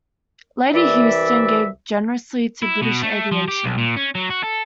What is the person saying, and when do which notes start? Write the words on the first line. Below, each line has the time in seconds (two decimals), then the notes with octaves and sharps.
Lady Houston gave generously to British aviation.
0.74 C2 E3 D5 E5
2.63 E4
2.82 B2
3.02 A3
3.31 F3
3.48 G4
3.64 B1
3.78 A#2
3.97 C#4
4.15 F#3
4.30 F#4
4.43 A4